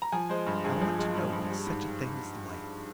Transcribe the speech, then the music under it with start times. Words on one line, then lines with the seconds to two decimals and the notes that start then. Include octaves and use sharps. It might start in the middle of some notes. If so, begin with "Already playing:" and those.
I want to know what such a thing is like.'
0.02 A#5
0.12 F3 G#5
0.29 G#3 C5
0.47 G2
0.64 G2 G#4
0.81 F3
0.98 G#3
1.15 G2
1.32 G2
1.50 G3
1.67 G#2